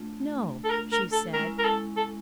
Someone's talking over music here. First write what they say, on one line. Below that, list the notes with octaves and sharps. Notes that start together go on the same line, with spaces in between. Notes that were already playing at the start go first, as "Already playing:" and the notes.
"No," she said.
Already playing: A3 D4 F4
A4
A#4
A#4
A4
G#3 C#4 E4 A#4
A#4
A4
A4